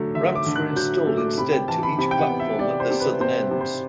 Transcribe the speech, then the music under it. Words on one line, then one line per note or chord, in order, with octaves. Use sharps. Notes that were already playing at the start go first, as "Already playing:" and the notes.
Ramps were installed instead to each platform at their southern ends.
Already playing: D3 F#3 A3
D3 E5
D6
D3
F#6
F#3 G6
A3
D6
C3 B5
G5
E3 A5
B5
C3 B5
G5
F#5
B3
E5
C3 D5
C5
C3
B4
C3 C5
C3
C5